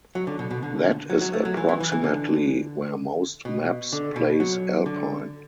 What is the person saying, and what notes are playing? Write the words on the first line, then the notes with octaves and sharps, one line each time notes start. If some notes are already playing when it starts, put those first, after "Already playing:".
That is approximately where most maps place Alpine.
F#3
D3
B2
B2
D3
F#3
F#3
A3
F#3
E3
E3
E3
E3
D3
B2
D3
B2
F#3
D3